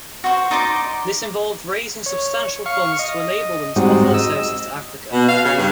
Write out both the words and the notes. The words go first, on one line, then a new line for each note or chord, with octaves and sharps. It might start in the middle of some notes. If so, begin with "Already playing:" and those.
This involved raising substantial funds to enable them to offer their services to Africa.
F#4 C5
D#4 D5 C6 D6
C#5
F5 C#6
D#5
G#2 G3 G#3 C4 D#4 F#4
D#5 E6
B2
F5
C#3
G2